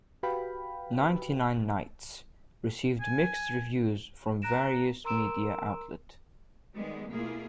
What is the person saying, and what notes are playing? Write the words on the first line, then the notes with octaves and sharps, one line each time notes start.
"Ninety-Nine Nights" received mixed reviews from various media outlets.
F#4 G4 B4 F5 G5 B5
G#5
A#5 F#6 A#6 D7 E7
A#4 A#5 C6 E6 D7 E7
D#3 G3 G#3 B3
B2 A3 A#3 E4 F4 G#4